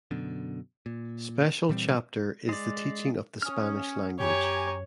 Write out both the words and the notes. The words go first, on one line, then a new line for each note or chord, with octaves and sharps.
Special chapter is the teaching of the Spanish language.
F#2 B2 D3
A#2
A#2 E3 G3 C4
G#3 D5
C#4 D#6 F6
F#2 G4 C#5 G#5 A#5